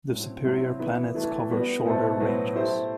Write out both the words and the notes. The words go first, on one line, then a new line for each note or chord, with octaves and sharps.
The superior planets cover shorter ranges.
A2 F#3 C4
C3 F#3 C4 E4
E3 B3 E4
E3 A3 E4
G3 B3 F#4
B2 A3 E4 A4 C5
A2 F#3 B3 F#4 C5
A3 E4 G4 C5